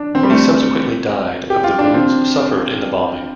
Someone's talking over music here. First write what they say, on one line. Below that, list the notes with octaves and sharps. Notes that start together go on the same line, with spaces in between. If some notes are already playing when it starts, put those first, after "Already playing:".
He subsequently died of the wounds suffered in the bombing.
Already playing: D4
C4
G3
A3
G4
F4
D4
C4